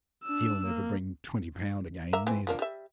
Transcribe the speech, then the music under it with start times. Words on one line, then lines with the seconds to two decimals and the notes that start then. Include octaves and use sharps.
He'll never bring twenty pound again, neither.'
0.24 D4 E6
0.66 A#3
2.13 A#3 E5 A#5
2.27 E3 C4
2.47 F3 A#3 D4
2.59 G3 E5